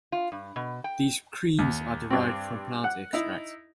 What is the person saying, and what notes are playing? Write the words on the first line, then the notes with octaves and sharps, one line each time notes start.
These creams are derived from plant extract.
F4
G2
B2
G5
D#2
G2 C4
F#5
D#4 E4